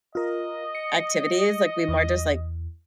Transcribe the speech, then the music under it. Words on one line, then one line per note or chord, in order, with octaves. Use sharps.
activities, like, we more just, like,
F4 A#4 D#5
C#7
E2